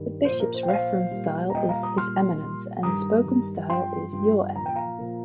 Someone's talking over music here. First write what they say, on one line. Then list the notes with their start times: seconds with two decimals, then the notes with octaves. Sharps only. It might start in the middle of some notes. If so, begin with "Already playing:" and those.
The bishop's reference style is "His Eminence" and the spoken style is "Your Eminence".
Already playing: G2 D#3 G3
0.25 A#2 F3 C5
0.40 A#4
0.54 C5
0.63 G5
0.68 A#2 F3 C5 F5
1.11 A#2 G3
1.50 A#5
1.55 A#2 G3 D#5 G5
1.69 F5 A#5
1.83 A#5 D#6
1.97 A#2 G3 C6 F6
2.41 A#2 G3
2.83 G2 D#3 G3 A#5 D#6
3.26 G2 D#3 G3
3.70 G2 F3 G5 C6
4.13 G2 F3
4.56 A#2 F3 A#5
4.66 G5
4.75 F5 A#5
4.98 A#2 F3